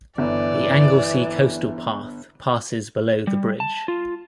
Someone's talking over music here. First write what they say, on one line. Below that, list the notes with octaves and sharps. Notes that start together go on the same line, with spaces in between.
The Anglesey Coastal Path passes below the bridge.
G1 E3 D5
G3
A5
F4